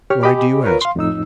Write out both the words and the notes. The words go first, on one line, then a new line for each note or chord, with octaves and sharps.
Why do you ask me?'
G4 C#5 F6
G4 D#5 G#5 B5 D6
F4 A#4 B4 C#5
F5 C6
F2 A2 D#4 E6